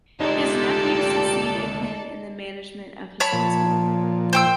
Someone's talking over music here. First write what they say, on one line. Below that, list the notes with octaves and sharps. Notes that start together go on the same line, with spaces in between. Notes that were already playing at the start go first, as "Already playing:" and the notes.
His nephews succeeded him in the management of his hospital.
D2 G#3 C4 D#4 F4 G4 A4 D5
C#5 A5 B5
A#2 F3
C5 G5 E6